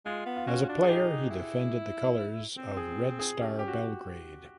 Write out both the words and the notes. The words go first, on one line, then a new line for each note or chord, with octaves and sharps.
As a player, he defended the colours of Red Star Belgrade.
G#3 F4
B3
F4
C#4 F#4
D4
G#4
D#4 G4
E4
C4
G#4
G#4
C#4 G4
G4
F#4